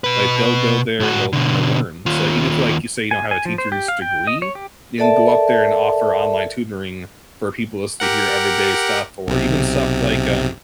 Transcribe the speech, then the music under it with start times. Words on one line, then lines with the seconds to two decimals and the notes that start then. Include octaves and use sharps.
Like, they'll go there and they'll and they'll learn. So, like, even if you, like, you say you don't have a teacher's degree, you can go up there and offer online tutoring for people as to hear everyday stuff or even stuff like, um
0.04 B2 B4
1.00 A2 F#4
1.33 B2 D3
2.06 D#2 F4
3.11 G#5
3.31 G#5
3.45 F3
3.58 C5
3.72 G4
3.88 F5
4.02 G5
4.27 D#5
4.42 C#5
4.55 G4
4.98 A4 A#4 D5 E5 A5
8.00 G4 A#4 F#5
9.27 B1 C3